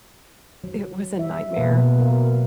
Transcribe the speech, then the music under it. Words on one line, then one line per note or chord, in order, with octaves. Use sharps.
it was a nightmare.
F#3
G3 E5
B2 A#3 B4 F5
F#3 A#4 F5